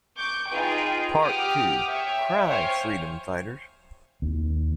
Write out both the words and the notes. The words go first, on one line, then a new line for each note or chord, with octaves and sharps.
Part Two", "Cry Freedom Fighters!
C#6 D6 G6
D#4 F4 G#4 B4 G5
G4 F#5 G5 D6 D#6 F6
C#5 E5 G5
C5 C#5 F5 G5 G#5
D#2